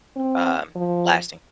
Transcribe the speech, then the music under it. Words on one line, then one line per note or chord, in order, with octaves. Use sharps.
um, lasting?
C4
F3